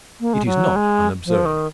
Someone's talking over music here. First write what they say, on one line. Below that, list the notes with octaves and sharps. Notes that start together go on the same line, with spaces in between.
It is not unobserved.
A#3
G#3
F#3
G#3
F3
D#3